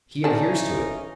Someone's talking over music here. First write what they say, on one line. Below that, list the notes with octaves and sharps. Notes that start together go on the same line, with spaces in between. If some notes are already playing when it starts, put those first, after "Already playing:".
He adheres to it.
C#3 E3 C#4 D#4 D5 A5